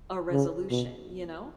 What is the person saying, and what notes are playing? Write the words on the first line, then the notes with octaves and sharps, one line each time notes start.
a resolution, you know?
C#3
B2